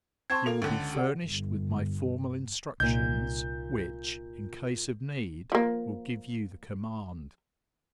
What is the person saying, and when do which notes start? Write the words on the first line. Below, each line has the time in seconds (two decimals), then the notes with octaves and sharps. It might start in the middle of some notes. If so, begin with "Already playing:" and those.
You will be furnished with my formal instructions, which, in case of need, will give you the command.
0.30 C4 A5 C6 C#6 G#6
0.46 A#3 A4 F7
0.62 C#2 D3
0.95 G4 D5 F#5
1.23 G1
2.80 C2 A#2 D#4 G6
5.52 F3 A#3